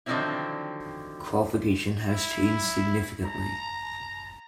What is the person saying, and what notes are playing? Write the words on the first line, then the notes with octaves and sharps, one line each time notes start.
Qualification has changed significantly.
D3 D#3 F3 F#3 C4 E4
E4
A#5